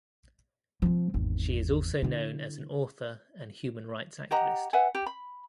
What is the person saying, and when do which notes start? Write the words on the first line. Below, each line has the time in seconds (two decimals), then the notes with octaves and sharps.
She is also known as an author and human rights activist.
0.82 F3 C4
1.14 G#1 E2
2.02 D3 E4
4.31 G4 D#5 F#5 A#5
4.73 B4 E5 F#5 G#5
4.95 G4
5.06 B5